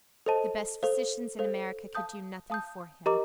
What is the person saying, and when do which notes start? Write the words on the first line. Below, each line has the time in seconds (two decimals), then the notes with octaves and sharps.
The best physicians in America could do nothing for him.
0.26 A4 C5 D#5 A5
0.83 A4 C5 F5
1.39 A4 C5 F5
1.95 F5 A5 D#6 G6
2.50 F5 A5 D#6 G6
3.06 G4 A#4 D#5 A#5 D6